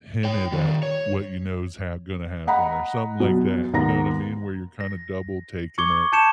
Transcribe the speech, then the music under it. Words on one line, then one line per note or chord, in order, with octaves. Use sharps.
hinted at what you know is ha gonna happen or something like that, you know what I mean? Where you're kinda double taking it.
C#5 G5
D#3 G3
C#5
D#5 F#5 A#5 B5
F#2 B2
D#2 B3 A#4 A#5 A#6
A#6
C#6 D6 G#6 C#7 G7
A5 G6 G#6 C#7 E7